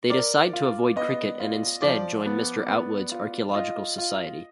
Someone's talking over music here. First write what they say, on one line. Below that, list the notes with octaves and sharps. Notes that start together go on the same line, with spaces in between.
They decide to avoid cricket and instead join Mr Outwood's archaeological society.
A#4 D5
F4
B3 D#5
F4
F3 D5
B3
B3
F4
F4 D#5
F4